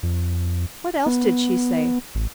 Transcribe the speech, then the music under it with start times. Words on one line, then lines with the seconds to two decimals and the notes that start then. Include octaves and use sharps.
"What else did she say?"
0.03 F2
1.06 B3
2.15 A1